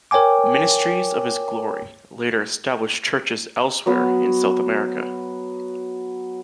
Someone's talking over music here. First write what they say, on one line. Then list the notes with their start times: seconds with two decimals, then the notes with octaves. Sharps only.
Ministries of His Glory later established churches elsewhere in South America.
0.11 A#4 C#5 G5 G#5 D6
3.86 F#3 B3 F#4